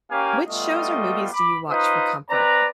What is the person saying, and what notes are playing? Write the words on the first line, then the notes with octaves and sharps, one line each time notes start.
Which shows or movies do you watch for comfort?
A#3 C#4 G4 F5 G#5
G3 A3 B3 F4 D#5
B5 D6
D#4 F4 B4 C5 D#6
C4 B4 D5 A#5